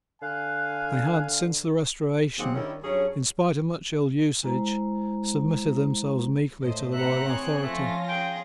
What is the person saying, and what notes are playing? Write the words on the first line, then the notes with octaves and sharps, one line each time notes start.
They had, since the Restoration, in spite of much ill usage, submitted themselves meekly to the royal authority.
D3 F5 G#5 F#6
D#2 F#3 C4 G4 G#4 F#5
D#3 G3 C#4 D4 E4
G2 F#3 C#4 G#4 C#5
G#3 E4 C5 A#5
A2 C5 D#5
C4 B4 E5 F#5 A#5 F#6
E3 G#4 C5 C#5
F3 A3 C#4 F4 G#5 A#6
G#4 G5